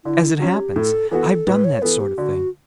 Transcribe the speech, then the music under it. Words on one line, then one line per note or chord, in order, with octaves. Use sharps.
As it happens, I've done that sort of thing.
D3 E4
F#3 C#4
G4
A2 A4
E3 B3 F#4 A4
A2 B4
C#5
E3 B3 A4
G4
D3 F#4